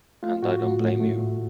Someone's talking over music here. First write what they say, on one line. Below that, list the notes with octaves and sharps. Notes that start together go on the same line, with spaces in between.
And I don't blame you.
A3 F4
A2 F#4
A2
A2
A3
A2